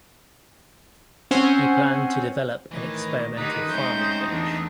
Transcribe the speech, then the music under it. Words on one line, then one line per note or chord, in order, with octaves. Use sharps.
He planned to develop an experimental farming village.
C4 C#4 C5 C#5 F#5 G#5
A2 D#3 E3
D3 D#3 D#4 G4 B4
G#3 A3 C4 C#4 C5
E2 D4